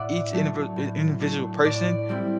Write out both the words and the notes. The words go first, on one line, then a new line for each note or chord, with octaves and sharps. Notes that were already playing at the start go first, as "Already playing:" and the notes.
each indivd in individual person,
Already playing: A2 D5 E5 F#5
F#3 A3 D4
A2
F#3 A3 D4
A2 D5
G3 C4 E4